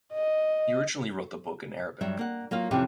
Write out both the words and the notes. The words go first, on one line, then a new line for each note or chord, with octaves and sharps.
He originally wrote the book in Arabic.
D#5
G2 F#3 G3 E5
A#3 F#5
F#3 A#3 F4 F5
F2 C3 E3 C#4 E4 G4